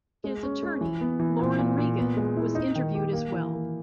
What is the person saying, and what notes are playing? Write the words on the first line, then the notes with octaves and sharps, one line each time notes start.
His attorney, Lauren Regan, was interviewed as well.
G#3
C#4
G#3
E3
B3
E3
A#2
A#2
A#2
B3
G#3
E4
D#4
D#3
G4
A#3
E3
A#3